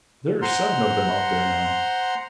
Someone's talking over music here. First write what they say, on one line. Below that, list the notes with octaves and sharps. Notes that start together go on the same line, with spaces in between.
"There are seven of them out there now."
C5 F#5 A#5 C6